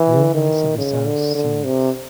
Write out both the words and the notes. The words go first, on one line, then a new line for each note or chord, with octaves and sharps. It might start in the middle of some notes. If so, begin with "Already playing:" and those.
Romance in the South Seas!
Already playing: E3
D#3
C#3
D3
D3
C3